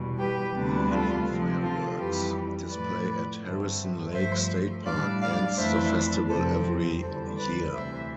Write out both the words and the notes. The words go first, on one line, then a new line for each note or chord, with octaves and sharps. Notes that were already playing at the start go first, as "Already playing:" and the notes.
An evening fireworks display at Harrison Lake State Park ends the festival every year.
Already playing: E2 B2 G3
G4 B4
D2 C3 G3 B3 D4
F4 A4
C3 F3 C4
F4 A4
F2 E3 G3 G4 B4
A2 F3 A3 B4 D5
G2 D3 A3 C4
G2 F3 A3 C5 E5
A2 G3 D4 D5 F5
D5 F5
F2 E3 A3 D4 C5 E5
F2 C3 F3 C4 A4 C5
E2 D3 G3 A4 C5
B4 D5
D2 C3 E3 C5 E5